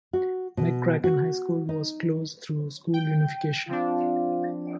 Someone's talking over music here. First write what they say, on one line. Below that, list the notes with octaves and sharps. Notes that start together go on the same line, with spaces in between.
McCracken High School was closed through school unification.
F#4
B2
F#4
D#4
G5
F3 C4 D4 F4